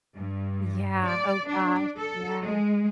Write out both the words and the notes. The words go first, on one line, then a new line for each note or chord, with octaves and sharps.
Yeah, oh, gosh, yeah.
G2
D5
D4
A4
G#3